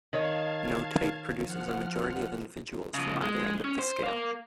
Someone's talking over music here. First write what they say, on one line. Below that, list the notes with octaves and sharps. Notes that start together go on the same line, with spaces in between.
No type produces a majority of individuals from either end of the scale.
D#3 C#5 D#5 F5 A5 G#6
F3 F#5 F6
C#3 F3
G#3
C#4
C5
A#4 F5